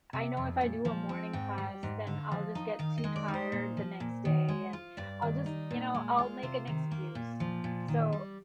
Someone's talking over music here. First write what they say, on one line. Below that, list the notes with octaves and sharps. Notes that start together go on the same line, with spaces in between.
I know if I do a morning class, then I'll just get too tired the next day and I'll just, you know, I'll make an excuse, so,
C3
F2
A#2
F3
C4
G#2 G5
G3
G#2
D3 F5
F3
D#4
D#3 F5
D#5
G#3
D5
D#4
C5
A#2
F3
A#2
D#3
G#3
F4
G2 D5
D#3
D#4
A#2
G#3
F4
C3 C5
D#3
A#3
A#2
F3
A#2
D#3
G3